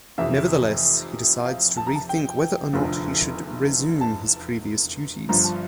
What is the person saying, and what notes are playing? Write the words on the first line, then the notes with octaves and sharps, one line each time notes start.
Nevertheless, he decides to rethink whether or not he should resume his previous duties.
F1 F2 C3 E3 E5
F5
A5
A#5
A5
G5
F1 E2 D3 F3
A5
G1 G2 F3 A#5
A5